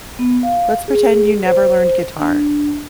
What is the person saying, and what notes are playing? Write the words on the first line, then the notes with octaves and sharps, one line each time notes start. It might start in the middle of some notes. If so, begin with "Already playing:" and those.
let's pretend you never learned guitar,
B3
F5
G#4
C5
D4